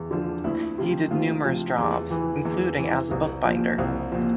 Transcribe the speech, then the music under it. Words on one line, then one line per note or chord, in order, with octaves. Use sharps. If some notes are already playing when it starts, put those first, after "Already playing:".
He did numerous jobs including as a bookbinder.
Already playing: E2
D3 F3
D2 E4
C3 F3
D2 F4
C3 F3
E2
E3
E2
E3
C2
A#2 F3
C2
A#2 F3